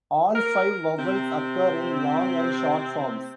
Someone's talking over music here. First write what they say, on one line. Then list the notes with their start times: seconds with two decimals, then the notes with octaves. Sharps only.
All five vowels occur in long and short forms.
0.35 A#4
0.98 C3 C4